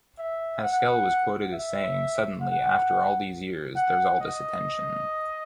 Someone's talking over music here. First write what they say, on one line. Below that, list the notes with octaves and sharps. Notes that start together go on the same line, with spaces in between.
Haskell was quoted as saying, Suddenly, after all these years, there's all this attention.
E5
F#5
E5
F#5
F#5
D#5